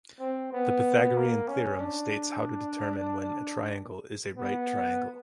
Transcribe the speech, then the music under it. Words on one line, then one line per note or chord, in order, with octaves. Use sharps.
The Pythagorean theorem states how to determine when a triangle is a right triangle.
C4
B3
A#3
C#4
D4
B3